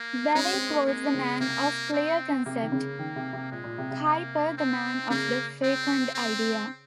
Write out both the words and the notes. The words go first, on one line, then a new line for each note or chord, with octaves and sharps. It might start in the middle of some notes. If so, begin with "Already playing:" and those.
Bavinck was the man of clear concept, Kuyper the man of the fecund idea.
Already playing: A#3
G#3 C#4
C4
A#3
G#3 A#3
C#3
C3 A#3
C4
C3 A#3
D#3
C#3
D#3
C3
C3
A#2 G#3
A#2
C3
C3
A#3
C4
C#3 A#3
C4
C4